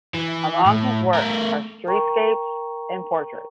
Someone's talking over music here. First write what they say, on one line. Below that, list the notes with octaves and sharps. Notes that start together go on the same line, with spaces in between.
Among his works are streetscapes and portraits.
E3
A2
A3 A#4
A#4 G5 A#5 C#6